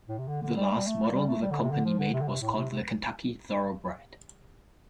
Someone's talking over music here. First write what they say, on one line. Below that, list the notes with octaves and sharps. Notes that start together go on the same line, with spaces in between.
The last model the company made was called The Kentucky Thoroughbred.
A2
C3
D3
D3
G3
A3
G3
A3
G3
A3
G3
D3
C3
D3
F3
D3
C3
D3
C3
A2
C3
C3